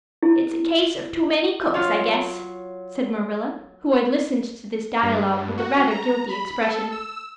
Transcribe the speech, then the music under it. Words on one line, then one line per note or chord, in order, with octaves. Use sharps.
"It's a case of too many cooks, I guess," said Marilla, who had listened to this dialogue with a rather guilty expression.
E4
F#3 F4 C#5
G2
F#4
A#5
B5
A4
E6